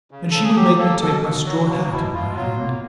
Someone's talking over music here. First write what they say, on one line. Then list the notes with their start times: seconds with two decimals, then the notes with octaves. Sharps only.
And she would make me take my straw hat in my hand.
0.11 C#3
0.31 C#3 A4
0.44 G#4
0.56 F#3 G4
0.78 A#3 A4
1.01 B2 A4
1.24 B2
1.46 F#3 F#4
1.69 A#3
1.91 B2 E4
2.14 B2 F4
2.36 F#3 F4
2.59 A#3